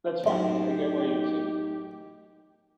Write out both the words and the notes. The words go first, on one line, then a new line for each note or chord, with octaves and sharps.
that's fine, I I get why you'd say,
A1 F#2 D#4 G4